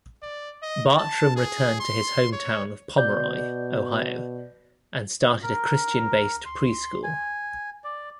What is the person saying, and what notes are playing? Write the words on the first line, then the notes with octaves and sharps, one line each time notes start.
Bartrum returned to his home town of Pomeroy, Ohio and started a Christian-based pre-school.
D5
D#5
A5
G#4
C6
C#5
B2 D5 G6
A#4
C6
G#5
D5